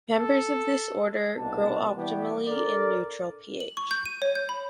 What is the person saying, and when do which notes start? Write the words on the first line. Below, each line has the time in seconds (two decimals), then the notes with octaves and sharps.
Members of this order grow optimally in neutral pH.
0.13 A4
1.39 C2 B2 A#3 D4 A5
1.96 E3 G3 B3 F#4 G4
2.48 D4 A4 A#4 D5
3.60 F#7
3.77 C#6
3.91 G6
4.06 D#7
4.22 C#5
4.35 G6
4.49 B5